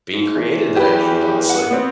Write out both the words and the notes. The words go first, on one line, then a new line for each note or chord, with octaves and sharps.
being created, that I needed, honestly.
G#2
E2
G4 B4
F#5
B3 C4